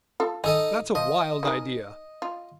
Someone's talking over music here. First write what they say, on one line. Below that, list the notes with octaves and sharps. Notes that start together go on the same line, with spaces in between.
That's a wild idea.
F4 A4
D#4 A4 D#5 G#5
F3 D#5
D#4 G#4 A#4
F4